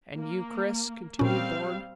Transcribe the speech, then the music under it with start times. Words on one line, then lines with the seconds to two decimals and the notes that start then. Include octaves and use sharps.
"And you, Chris?" continued Bourne.
0.17 A#3
1.19 A#2 G3 C4 C#4 F5